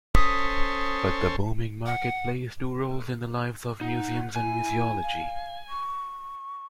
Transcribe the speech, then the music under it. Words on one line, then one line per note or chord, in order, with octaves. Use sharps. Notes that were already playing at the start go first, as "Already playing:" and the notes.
But the booming market plays two roles in the lives of museums and museology.
C#4 A4 C5 D#6 B6
F#5
D#4 F#5
E4 G#5
F5
C#6